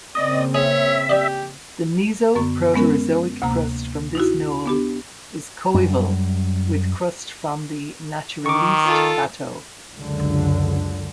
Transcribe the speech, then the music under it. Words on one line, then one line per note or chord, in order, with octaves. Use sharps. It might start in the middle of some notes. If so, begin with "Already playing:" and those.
The Mesoproterozoic crust from this knoll is coeval with crust from the Naturaliste Plateau.
C#3 A#3 C4 D5 D#5
G#4 C#5 E5
G4 D5 D#5
F#2 D3 B3 C#6
G#3 B3 C#4 A#4
D2 C3 A#3 A#5
D#4 E4 F#4
B3 D4 G4
F#2 G3
D#3 C#6 D6
F4 A4
C#2 F#2 D3